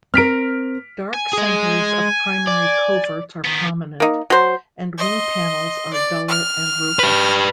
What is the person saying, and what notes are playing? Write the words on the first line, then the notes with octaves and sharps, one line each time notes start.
Dark centers of primary coverts are prominent, and wing panels are duller and rufous.
C4 A#4 F6 B6 D7
G#5
G#3 G#4
D5
D#3 B3
A#3 D#4
F#3 C5
D#5 C6
D5
F6
G4 B4